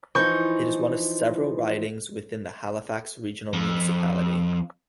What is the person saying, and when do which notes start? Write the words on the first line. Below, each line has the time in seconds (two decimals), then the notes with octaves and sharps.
It is one of several ridings within the Halifax Regional Municipality.
0.15 E3 F3 D#4 C#6 G6
3.53 F2